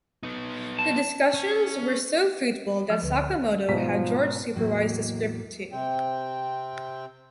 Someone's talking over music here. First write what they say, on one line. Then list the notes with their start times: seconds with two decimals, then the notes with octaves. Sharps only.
The discussions were so fruitful that Sakamoto had George supervise the script too.
0.23 B3 D#4
0.79 A5
1.34 C#4
2.90 F3 F#4
3.02 D2 D3 B4
3.68 G#2 B2 F3 B6
4.55 E2 A2 F#3 A#3
5.72 C3 C4 G5